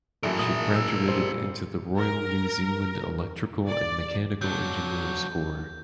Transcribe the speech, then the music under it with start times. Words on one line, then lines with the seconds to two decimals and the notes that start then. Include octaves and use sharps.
She graduated into the Royal New Zealand Electrical and Mechanical Engineers Corps.
0.23 A1 F#2 E4 G#4 A#4
0.39 A#2 D#6
0.76 E6
1.08 G3 C5
1.98 A#4
3.66 D5
4.42 F#3 D4 G6